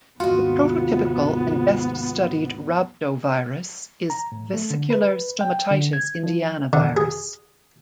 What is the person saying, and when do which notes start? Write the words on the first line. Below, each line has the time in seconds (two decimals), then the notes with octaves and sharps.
The prototypical and best studied rhabdovirus is vesicular stomatitis Indiana virus.
0.20 D#2 G#2 C3 B3 F4 F#4 D#5
4.10 A#5
4.32 A2
4.54 A3
4.70 D3
4.90 B4
5.41 G5
5.71 D3
5.93 G#6
6.23 F3
6.73 D3
6.97 G#4